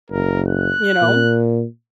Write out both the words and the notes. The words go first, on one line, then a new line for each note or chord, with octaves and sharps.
You know?
F#1 A#4
F#6
A#2